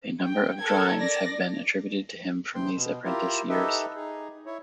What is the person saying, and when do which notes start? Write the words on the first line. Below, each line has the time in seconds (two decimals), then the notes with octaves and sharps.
A number of drawings have been attributed to him from these apprentice years.
0.24 G5
0.59 A4 A#4 G#6
0.98 D5 A#6
2.54 E2 C3 G5 C6
2.75 B2
3.05 E4 F4 G4 A#4
3.49 D#4 G4 A4 B4 D#5 E5
3.96 D#4 G#4
4.46 E4 C#5